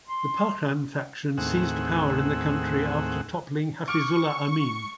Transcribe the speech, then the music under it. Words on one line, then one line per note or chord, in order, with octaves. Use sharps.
The Parcham faction seized power in the country after toppling Hafizullah Amin.
C6
D#2 A2 C4 G#4 F#5 E6
C#6 D6 F6 D7